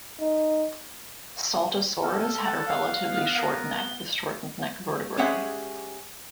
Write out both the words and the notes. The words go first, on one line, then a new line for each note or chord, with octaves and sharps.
"Saltasaurus" had a relatively short neck with shortened neck vertebrae.
D#4
A4 F6
F#5 A6
F5
B3
A#4
G7
G#3 C#4 G4 G#4 E5 F#5